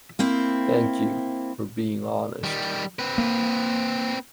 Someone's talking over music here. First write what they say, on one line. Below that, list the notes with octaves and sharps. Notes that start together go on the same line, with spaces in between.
Thank you for being honest.
A#3 C4 E4
D#3 G3
C4 B4
A#3